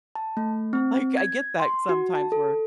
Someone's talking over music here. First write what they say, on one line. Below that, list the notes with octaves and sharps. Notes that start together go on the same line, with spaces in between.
like, I get that sometimes where
A5
A3
C4
G#6
C6
F#4
A5
A4